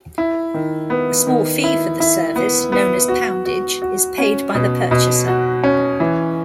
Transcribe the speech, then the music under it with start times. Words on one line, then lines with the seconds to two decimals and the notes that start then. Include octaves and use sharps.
A small fee for the service, known as poundage, is paid by the purchaser.
0.18 E4
0.54 D#3
0.90 B3
1.27 D#3
1.64 E4
2.00 E4
2.36 B3
2.72 B3
3.08 F#4
3.45 F#4
3.82 F#4
4.18 C#4
4.55 B2
4.91 B2
5.28 F#4
5.63 C#4
6.00 E3